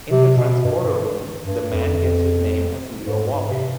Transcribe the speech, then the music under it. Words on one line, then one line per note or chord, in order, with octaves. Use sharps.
In the transporter room, the man gives his name as Leo Walsh.
C3
B2
G2
G2
F2
G#2
G2
C3